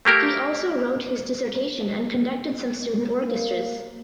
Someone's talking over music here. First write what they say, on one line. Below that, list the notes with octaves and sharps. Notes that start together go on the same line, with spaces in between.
He also wrote his dissertation and conducted some student orchestras.
A3 A#3 G4 A#4
A#3